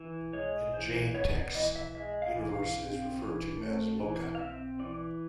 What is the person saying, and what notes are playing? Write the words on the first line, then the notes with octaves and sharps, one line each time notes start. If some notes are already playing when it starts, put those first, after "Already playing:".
In Jain texts, universe is referred to as Loka.
Already playing: E3
G#3 C#5
E3 C5
B3 C#5
D5
E3 D#5
E5
G#3 E5
F5
E3
F5
C4
E3
A3
E3
F5
C4 E5
E3 D5